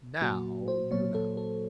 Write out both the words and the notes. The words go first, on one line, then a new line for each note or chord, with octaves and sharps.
Now you know.'
A#2 F#3 A#3 F#4
C5
A#2 F#3 A#3 C#5
A4
A4